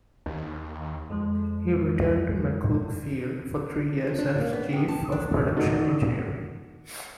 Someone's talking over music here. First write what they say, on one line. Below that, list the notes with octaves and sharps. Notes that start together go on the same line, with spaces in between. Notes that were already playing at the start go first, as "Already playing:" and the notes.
He returned to McCook Field for three years as chief of Production Engineering.
D#2
F2 F3 G#3
F3
D4
A#3
B3
C3
A5
D4
D4 D#4 F#4 A4